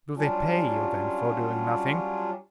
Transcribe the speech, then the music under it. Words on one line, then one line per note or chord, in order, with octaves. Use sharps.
"Do they pay you, then, for doing nothing?"
F#3 G3 C#4 D4 F4